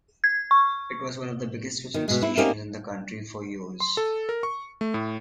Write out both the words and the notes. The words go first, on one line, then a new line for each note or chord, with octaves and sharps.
It was one of the biggest switching stations in the country for years.
G#6
C#6
D#3
B2 G#3
E4
A#3 C4 C#4 D#4 G4 A#4
C6
A4
A#4
C#6
A3
A2